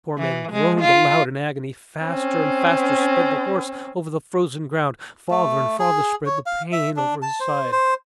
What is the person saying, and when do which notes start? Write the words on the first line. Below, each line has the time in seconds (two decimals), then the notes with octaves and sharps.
The poor man groaned aloud in agony; faster and faster sped the horse over the frozen ground,--farther and farther spread the pain over his side.
0.18 E3
0.52 G#3
0.81 F4
2.05 C4 C#4
5.31 A3
5.79 G#4
6.26 C#5
6.46 F5
6.72 E5
6.97 D4
7.22 A5
7.40 C5
7.72 C5